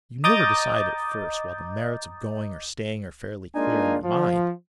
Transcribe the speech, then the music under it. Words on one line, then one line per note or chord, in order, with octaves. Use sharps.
You never decide at first while the merits of going or staying are fairly clear in your mind.
D#5 A#5 D6 D#6 G6 A6
G#3 A#3 D4 D#4 F4 G#5
F3